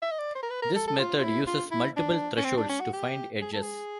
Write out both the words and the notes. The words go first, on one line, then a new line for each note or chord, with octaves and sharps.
This method uses multiple thresholds to find edges.
E5
D#5
D5
C5
A#4
B4
A#4
A4
A4
F4
F4
E4
F4
E4
D4
C#4
C4
D4
C#4
F#4
G4
G#4
A4
G#4